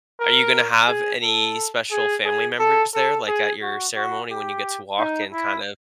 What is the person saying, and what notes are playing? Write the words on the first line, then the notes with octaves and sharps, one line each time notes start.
are you gonna have any special family members there, like, at your ceremony when you get to walk and kind of
A#4
G#4
A4
G#4
G#4
A4
A4
G#4
F#4
F#4
G4
D#4
E4